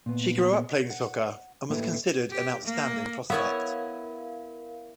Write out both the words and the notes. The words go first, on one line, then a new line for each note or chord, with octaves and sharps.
She grew up playing soccer and was considered an outstanding prospect.
A#2 B3
F#5
A2 A#3 E4 A4 B4 G5
G4
A#3
B3 E4 A#4 C#5 E5 F5